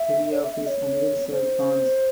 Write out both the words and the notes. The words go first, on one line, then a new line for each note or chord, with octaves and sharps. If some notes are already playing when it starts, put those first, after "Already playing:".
Three of his uncles were khans.
Already playing: E5
C#5
E5
E5
C#5
C5